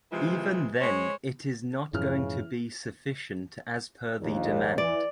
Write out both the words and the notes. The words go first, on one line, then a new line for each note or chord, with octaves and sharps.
Even then it is not going to be sufficient as per the demand.
C3 E3 F3 G#3
G#3 C5 C#5
F#2 A2 C#3 E3 F3 F6
A#1 D#2
E3 D5